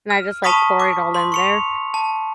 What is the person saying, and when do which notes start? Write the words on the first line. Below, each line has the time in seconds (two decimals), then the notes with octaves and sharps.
and I just, like, pour it all in there,
0.10 F6
0.44 A5 B5 C#6 D#6 B6
0.80 D6
1.14 C6
1.32 C#6 C#7 F7
1.94 A5